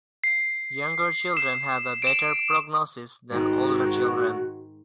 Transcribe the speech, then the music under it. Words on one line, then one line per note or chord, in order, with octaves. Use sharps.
Younger children have a better prognosis than older children.
C7
C7 E7
D7 E7
G#2 D#3 G#3 F#4